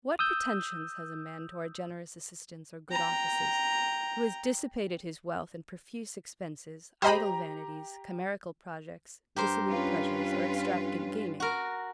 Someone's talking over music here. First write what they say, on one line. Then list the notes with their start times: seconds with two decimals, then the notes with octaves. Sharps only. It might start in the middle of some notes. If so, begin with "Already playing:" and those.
What pretensions has a man to our generous assistance or good offices, who has dissipated his wealth in profuse expenses, idle vanities, chimerical projects, dissolute pleasures or extravagant gaming?
0.19 D#6 E6 G6
2.91 G5 A#5
7.02 G4 C5 D#5 A#5 B5
9.36 G2 G4 A#4 C5
9.69 C#4 F4 B4
11.40 F#4 A#4